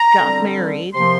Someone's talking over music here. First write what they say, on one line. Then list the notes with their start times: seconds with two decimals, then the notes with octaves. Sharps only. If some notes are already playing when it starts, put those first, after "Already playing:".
got married,
Already playing: A#5
0.18 D3 G3 C4
0.95 C3 F3 A#3 C6